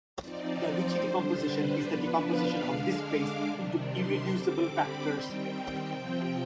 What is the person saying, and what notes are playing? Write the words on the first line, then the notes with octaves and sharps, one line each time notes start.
The Ricci decomposition is the decomposition of this space into irreducible factors.
F3 C4 D#4 D5
C5
D3 G3 D4 C5
B4
F3 B3 D4 B4
F5
D3 G#3 D4
D6
C3 D#3 G3 D4
C6
D3 G3 C4 D6
B5
D#3 G3 C4 G5
C3 F3 C4